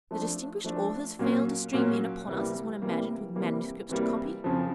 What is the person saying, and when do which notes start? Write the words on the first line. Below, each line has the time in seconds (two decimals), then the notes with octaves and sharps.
The distinguished authors fail to stream in upon us as one imagined with manuscripts to copy.'
0.11 F3 A3 D4
0.64 F3 A3 D4
1.19 A#2 F#3 A#3 C#4
1.73 A#2 F#3 A#3 C#4
2.27 C2 C3 E3 G3 A#3
2.82 C2 C3 E3 G3 A#3
3.36 C3 E3 G3 A#3
3.89 C3 E3 G3 A#3
4.44 F2 C#3 F3